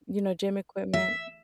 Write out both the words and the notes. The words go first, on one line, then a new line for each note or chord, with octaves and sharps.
you know, gym equipment.
E5